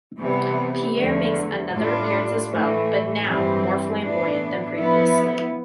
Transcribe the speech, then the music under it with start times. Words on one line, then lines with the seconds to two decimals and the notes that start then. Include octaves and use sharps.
Pierre makes another appearance as well, but is now more flamboyant than previously.
0.19 C3 E3 G3 B3
0.95 E2 D3 F3 A3
1.72 A2 G3 D4 F4
2.49 A2 E3 A3
3.24 G2 E3 G3 C4
4.01 A2 E3 B3 D4
4.78 F3 B3 E4